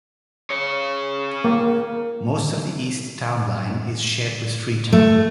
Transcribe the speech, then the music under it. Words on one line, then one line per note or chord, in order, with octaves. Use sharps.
Most of the east town line is shared with Freetown.
G#4 C#5
A#3 A#4
A3